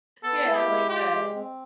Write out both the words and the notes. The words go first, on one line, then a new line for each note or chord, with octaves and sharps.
Yeah, I like that.
B3 A4
E4
G4
G#3
F4 G4
G#3
C4